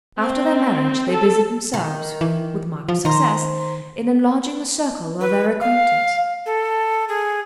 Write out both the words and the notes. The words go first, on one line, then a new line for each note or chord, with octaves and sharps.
After their marriage they busied themselves, with marked success, in enlarging the circle of their acquaintance.
C4
A4
D#3
E3
F3
D#3 C5 A#5
B4
F5
A4
G#4